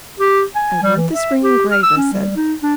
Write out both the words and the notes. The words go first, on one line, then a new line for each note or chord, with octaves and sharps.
"I want this ring engraved," I said.
G4
G#5
G3
E3
E5
G4
F6
E6
C#4
G3
D#4
D4